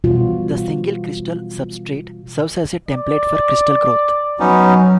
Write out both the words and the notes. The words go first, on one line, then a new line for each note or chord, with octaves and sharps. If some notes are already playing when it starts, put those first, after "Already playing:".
The single crystal substrate serves as a template for crystal growth.
B2 E3 G3 F4 F#4
D5
F#3 B3 C#4 D#4